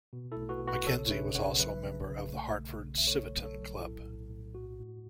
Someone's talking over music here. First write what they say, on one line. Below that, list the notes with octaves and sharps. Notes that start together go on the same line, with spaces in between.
Mackenzie was also a member of the Hartford Civitan Club.
B2
E4 A4
A3
F#4 B4
B2
F#4 B4
C#3 A4 C#5
C#5
C#3 B4 E5
C#3 C#5 F#5
F#3 B4 E5
C#3
C#3
A3
C#3
C#3
E5
A3 A4 C#5
F#3
A4 C#5
F#3
A2 E4 A4
A2
A2
A2 F#4
A2